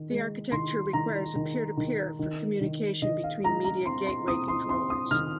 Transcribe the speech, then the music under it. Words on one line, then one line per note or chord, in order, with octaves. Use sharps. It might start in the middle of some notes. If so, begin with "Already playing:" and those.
The architecture requires a Peer-to-Peer for communication between Media Gateway Controllers.
Already playing: D#3
G#3
D#3 C6
D#3 A#5
D#3
D#3
D#3
D#3
D#3 D#5
F5
G#3 A#5
A#5
C4 C6
C6
C4 D#6
C6
C4 C6
D#6
D#3 F6